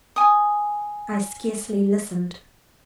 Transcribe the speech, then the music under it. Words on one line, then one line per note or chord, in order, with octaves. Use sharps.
I scarcely listened.
G#5 D#6